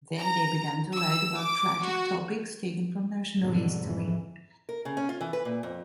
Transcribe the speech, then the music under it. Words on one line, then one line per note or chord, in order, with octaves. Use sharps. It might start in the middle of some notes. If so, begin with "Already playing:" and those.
Then they began to write about tragic topics taken from national history.
A#5
E6
D6
F#4
F2 G#2 B2 D3 F#3 G3
F2 G#2 E3
A#4
C#3
C#4
F4
E3
B4
A#2
F2